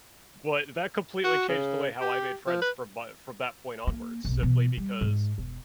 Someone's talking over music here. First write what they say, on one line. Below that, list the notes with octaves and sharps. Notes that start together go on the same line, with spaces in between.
but that completely changed the way how I made friends from my from that point onwards, simply because
F#4
C#3
G4
F3
B4
A#3
D1 B1
B2 E3
G3
G#2
E1